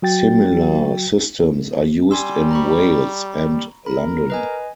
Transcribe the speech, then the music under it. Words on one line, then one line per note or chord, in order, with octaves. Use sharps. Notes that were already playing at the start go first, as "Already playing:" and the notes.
Similar systems are used in Wales and London.
F#3 F#4 G5 A6
G3 G#5 C6 E6
A#5 B5 C#6
A#4 B5
B4 D#5 G#5